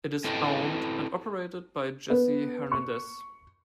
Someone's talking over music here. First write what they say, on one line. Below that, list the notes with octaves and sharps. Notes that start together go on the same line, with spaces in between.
It is owned and operated by Jesse Hernandez.
C4 E4 A4 B4 D#5 G5
B3
C#6